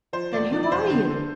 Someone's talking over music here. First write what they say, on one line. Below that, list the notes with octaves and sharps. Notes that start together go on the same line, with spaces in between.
"Then who are you?"
F3 C5
E1 D5
F3 D5
D5
E1 C5
D3
D3